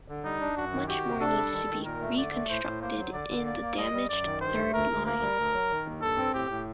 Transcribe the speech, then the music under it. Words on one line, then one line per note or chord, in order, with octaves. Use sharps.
Much more needs to be reconstructed in the damaged third line.
D3
G3 D#4
D4
F#2 F#4
D#3
F#4 G4
C3
D4 A4
G3
D#3
D#3
A#2 A#4
A3
D3 D5
A3
A2 C5
A2
A#3 C5
F#3
D3 D5
D3
A#3 D5
A#3
G3 D#5
G3
F#2 D5
D#3
G2 C5
A3
D2 A#4
D2
A#3 A#4
G3
D2
F#3
D#3
D#2
G2 A4
C4
A2 G4
A2